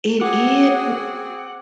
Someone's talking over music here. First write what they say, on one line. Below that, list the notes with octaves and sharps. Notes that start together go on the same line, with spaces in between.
It is.
C4 F#4 G#4 F#5 D6